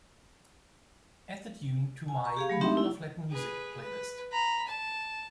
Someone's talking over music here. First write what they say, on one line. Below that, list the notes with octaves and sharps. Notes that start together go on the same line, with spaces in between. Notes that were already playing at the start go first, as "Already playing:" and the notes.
Add the tune to my Women of Latin Music playlist.
G#5
A#5 C#6
G4 G#4 F5
F#3 A3 B5
C4 D4 D#4 G4 E5 C6
E4
G#4 B4
B4
A#5 B5
A5